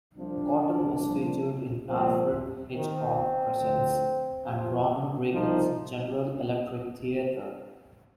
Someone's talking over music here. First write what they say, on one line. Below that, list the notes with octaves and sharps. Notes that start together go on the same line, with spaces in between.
Cotten was featured in "Alfred Hitchcock Presents" and Ronald Reagan's "General Electric Theater".
C2 C3 F3 D4
C2 A#2 F3
C2 A#2 F3 C4
D#2 D#3 C4
D2 D3 F3
F2 C3 F3
C2 C3 F3 D#4